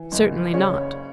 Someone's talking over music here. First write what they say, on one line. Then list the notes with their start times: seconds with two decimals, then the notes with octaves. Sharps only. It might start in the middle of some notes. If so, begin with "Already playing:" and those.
"Certainly not."
Already playing: E3
0.12 F#1
0.54 C#3 C#5